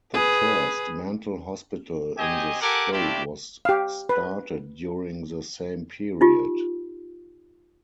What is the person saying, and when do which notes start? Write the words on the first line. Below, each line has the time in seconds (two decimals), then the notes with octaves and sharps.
The first mental hospital in the state was started during the same period.
0.14 G#4 B4
2.18 C4 G4 D#5 G#5
2.61 G4 A4 A#4 F#5 G#5 D6
2.92 A3 C4 D4 E4 F4 G4
3.65 G4 F5
4.09 B4
6.21 D#4 F4 G4